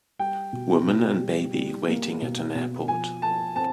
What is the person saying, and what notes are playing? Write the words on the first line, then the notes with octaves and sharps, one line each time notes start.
Woman and baby waiting at an airport.
G3 G5
B2
B2
G3
G3
A#3
B2
B2
F3 G#5
F3 A5
C4 A5